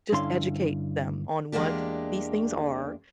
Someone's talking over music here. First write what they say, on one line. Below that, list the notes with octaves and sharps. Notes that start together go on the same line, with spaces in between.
just educate them on what these things are,
G2 D3 C#4 E4 F5 C6
E2 G#3 A#3 D4 G4